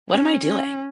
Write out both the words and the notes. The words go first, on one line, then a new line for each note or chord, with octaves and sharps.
what am I doing?
C#4
C#4